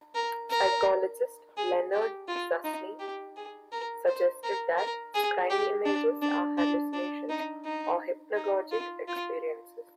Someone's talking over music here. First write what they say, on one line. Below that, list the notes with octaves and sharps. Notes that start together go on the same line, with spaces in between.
Psychologist Leonard Zusne suggested that scrying images are hallucinations or hypnagogic experiences.
A#4
A#4
G#4
G4
F4
D#4
G4
G#4
A#4
C5
A#4
A#4
G#4
G4
D4
D4
D4
D4
D#4
D#4
D#4
F4
F4